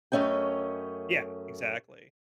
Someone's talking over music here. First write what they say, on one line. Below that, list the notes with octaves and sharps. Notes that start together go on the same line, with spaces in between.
Yeah. exactly.
F#2 A3 C#4 D#5 G5